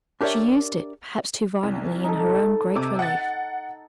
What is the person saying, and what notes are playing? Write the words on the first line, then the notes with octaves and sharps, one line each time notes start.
She used it perhaps too violently in her own great relief.
D4 G4 A#4 C#5 D5 E5
C2
D#4 A4
C3 D6
F#5 A6